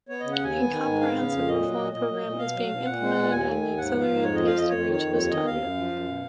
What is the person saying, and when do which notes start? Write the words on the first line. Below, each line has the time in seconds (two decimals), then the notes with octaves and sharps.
A comprehensive reform program is being implemented at an accelerated pace to reach this target.
0.09 B3 C#5
0.20 C#3 D#5
0.32 F#5
0.39 D#2 G#5
0.55 B3
0.70 D#3
0.85 G#2
1.01 B3 F5
1.16 C#3
1.32 F2
1.47 A#2 D#5
1.62 F#3
1.78 A#2
1.93 A#2 D#5
2.08 F#3
2.24 A#2
2.39 B2 F5
2.54 F#3
2.70 B2
2.85 A#2 F#5
3.01 G#3
3.16 A#2
3.31 D#2 G#5
3.46 D#3
3.62 D#2
3.77 G#2 F#5
3.93 F3
4.00 F5
4.08 G#2
4.23 F2 C#5
4.35 F3 D#5
4.46 F5
4.54 F2 D#5
4.69 F2 C#5
4.85 D#3
4.92 C#5
5.00 F2
5.15 D#2 C#5
5.31 D#3 D#5
5.46 D#2 F5
5.61 F#2
5.77 F3
5.92 F#2
6.08 B2